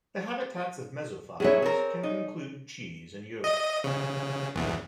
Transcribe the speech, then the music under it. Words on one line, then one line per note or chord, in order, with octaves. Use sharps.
The habitats of mesophiles can include cheese and yogurt.
A2 F#3 E4 G#4 C#5
C4 A#4
D#4
D#5
C#3
G#1 E2